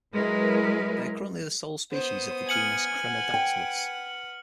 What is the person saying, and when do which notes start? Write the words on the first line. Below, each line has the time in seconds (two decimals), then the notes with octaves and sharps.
They are currently the sole species of the genus Crenadactylus.
0.14 F#3 G#3 E4 A#4 B4
1.93 B3 C5 D#6
2.49 G#5 F6 C#7 F#7
3.00 B4 F#5
3.34 G5